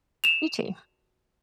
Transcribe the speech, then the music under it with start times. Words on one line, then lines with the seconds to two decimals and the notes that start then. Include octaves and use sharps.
You too.
0.24 E7 F7